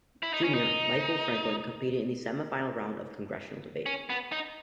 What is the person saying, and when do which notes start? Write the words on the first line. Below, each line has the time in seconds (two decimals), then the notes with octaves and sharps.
Junior, Michael Franklin competed in the semi-final round of Congressional Debate.
0.23 E4
0.33 D#4
0.44 C#4
0.54 D#4
3.86 C#4
4.10 B3
4.32 D#4